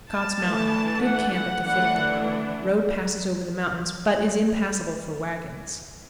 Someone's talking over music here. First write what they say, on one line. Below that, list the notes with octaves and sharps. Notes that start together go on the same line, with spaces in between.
Scott's Mountain.--Good camp at the foot of the mountain. Road passes over the mountains, but is impassable for wagons.
A5
E3 A3 D4
F#5
F#5
E3 A3 D4 F#5